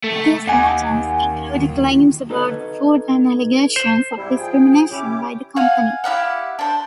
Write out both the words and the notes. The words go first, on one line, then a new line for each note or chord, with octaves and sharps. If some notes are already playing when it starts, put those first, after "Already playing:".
These legends include claims about the food and allegations of discrimination by the company.
A3
D#2 F#5 G#5
D#4 A4 B4 C#5 D#5
C5
G#2 C3 G3 E4
F3 G#4 G5
C#4 E4 G4 D6
F5 F#5 G#5 F6
E4 G4 F5 F#5
D4 C5